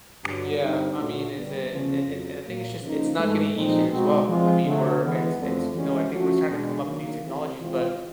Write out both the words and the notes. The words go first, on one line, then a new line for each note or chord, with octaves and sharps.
Yeah, I mean, is it it it and I think it's just it's not getting easier as well. I mean, we're it's it's, you know, I think we're just tryna come up with new technologies. But,
G2 D3 F#3
G2 D3 G3 C4 D#4
A#2 F#3 A3 D4
D3 G3 B3
E2 C#3 F3 A3 C#4
F2 C#3 F#3
A#2 F#3 A#3
C#3 F3 A#3 D#4
G#2 E3 A3
A#2 F3 G#3 C4 D#4
B2 G#3 C4 D#4 F#4
F3 G#3 C4 F4
D3 F#3 A3
E3 G#3 B3
F2 D3 F3 A3
E3 G#3 C#4 F#4
F3 A3 C#4 F#4
E2 B2 G#3 B3 D4
D#3 F#3 A#3
E3 A3 C4 E4 G4
C3 E3 G#3 C4 F4